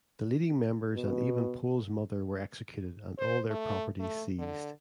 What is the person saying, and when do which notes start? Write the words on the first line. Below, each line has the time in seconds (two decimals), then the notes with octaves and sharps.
The leading members and even Pole's mother were executed, and all their properties seized.
0.94 B2
3.18 C5
3.50 A3
3.99 A3
4.39 D3